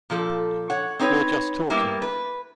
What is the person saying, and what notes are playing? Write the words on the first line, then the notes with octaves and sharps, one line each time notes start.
You’re just talking.
A#2 F3 A4
C#5 F#5
C4 D#4 B4 C#5
G3 A#3 B3 E4
B4